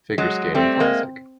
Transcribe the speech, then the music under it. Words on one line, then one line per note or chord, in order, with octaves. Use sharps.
Figure Skating Classic.
F#3 G#3
G3 A3 C4
G#3 A#3